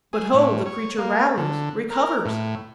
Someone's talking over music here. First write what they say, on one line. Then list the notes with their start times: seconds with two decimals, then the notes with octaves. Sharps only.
But ho! the creature rallies--recovers!
0.13 G#4
0.34 A2
0.66 C#5
0.98 A#3
1.37 D3
1.90 A#4
2.25 A2